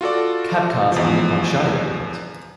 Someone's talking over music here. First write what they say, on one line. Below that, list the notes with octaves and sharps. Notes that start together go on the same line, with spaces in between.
Cab cars are Nippon Sharyo built.
F4 F#4 A4 D5
E2 F3